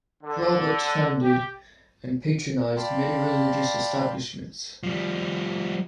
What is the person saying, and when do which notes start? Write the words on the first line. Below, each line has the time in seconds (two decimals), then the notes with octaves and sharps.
Robert founded and patronised many religious establishments.
0.23 D3
1.23 G4
2.76 D5 F5 G5 A5 B5 C6
4.83 F3 G3